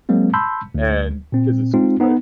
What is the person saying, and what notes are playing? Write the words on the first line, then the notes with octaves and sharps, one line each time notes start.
and because it's just, like
F#3 G#3 A#3 C4
A5 B5 C6 E6 G6
D2
A#2 C4
G#3 C4 D#4 F4
B3 D#4